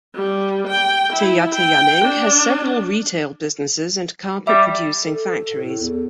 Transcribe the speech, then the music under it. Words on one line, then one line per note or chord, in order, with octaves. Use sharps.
Teyateyaneng has several retail businesses and carpet-producing factories.
G3
G5
E4
G5
D4
G3 D5 E5
A4
A2
E2